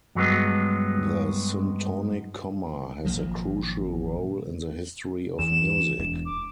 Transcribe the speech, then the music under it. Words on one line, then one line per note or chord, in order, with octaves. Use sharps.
The syntonic comma has a crucial role in the history of music.
G2 F#3 G#3 B3
G#1 A#2 F3 F#3
E2 E7
E1
D6